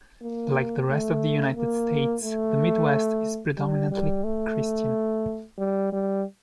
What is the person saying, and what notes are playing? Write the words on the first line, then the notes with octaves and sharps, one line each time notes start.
Like the rest of the United States, the Midwest is predominantly Christian.
A#3
A3
A#3
A3
G3
G3
A3
G3
G3